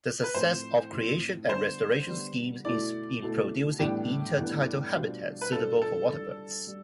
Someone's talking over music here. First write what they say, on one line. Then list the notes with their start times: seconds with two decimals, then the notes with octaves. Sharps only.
The success of creation and restoration schemes in producing intertidal habitat suitable for waterbirds.
0.24 B4
0.35 A2 F3 C4 C5
0.92 A2 F3 C4
1.49 D3 G3 B3 C5
2.07 D3 G3 B3
2.64 B2 A3 E4 A4 D5
3.22 B2 A3 E4 A4
3.79 A2 E3 G3 B3 D4 G4
4.38 A2 E3 G3 B3 D4
4.94 B2 G3 D4 F4 C5
5.41 B4
5.52 B2 G3 D4 F4 A4 C5
5.82 A4
6.10 G3 D4 F4
6.67 G3